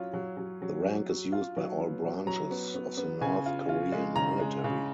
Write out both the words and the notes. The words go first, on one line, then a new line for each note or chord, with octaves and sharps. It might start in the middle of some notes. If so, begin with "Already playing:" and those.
The rank is used by all branches of the North Korean military.
Already playing: F#3 C#4 F4
F#3
F#3
F#3
F#3
F#3
F4
F#3
B3
F#3
F#3 A#5
B3
B3
B3
C#3 G#5
F4
F4
G#3
C#3 A#5
G#3
C#3